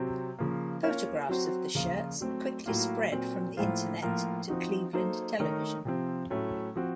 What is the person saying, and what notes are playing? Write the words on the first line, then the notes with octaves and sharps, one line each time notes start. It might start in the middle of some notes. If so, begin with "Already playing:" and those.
Photographs of the shirts quickly spread from the Internet to Cleveland television.
Already playing: C3 F#3 C4
C#3 F3 A#3
A#3 C#4 F4 A#4 C#5
F#3 C4 F#4 C5
C#3 F3 A#3 F4
F#3 A3 C4
A2 F#3 A#3 F4
A#2 F#3 C4
A2 F3 A#3 F4 C5
A2 F3 A#3 F4 A#4
F3 C4 D#4 F#4
F#3 A#3 D#4 A4 C5
D#3 A3 D#4 A#4 C#5
C3 F3 C4
A2 F#3 A3 C#4
F3 C4 F#4